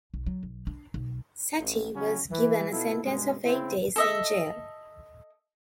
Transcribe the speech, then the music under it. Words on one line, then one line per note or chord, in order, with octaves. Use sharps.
Satie was given a sentence of eight days in jail.
B1
F#3
B1
D4
B1
A1
E2 C#3 F#3 C#4
E3
B2 E4 F4 A4
G2 B2 G#3
C#3 C4 E4
A4 D#5 E5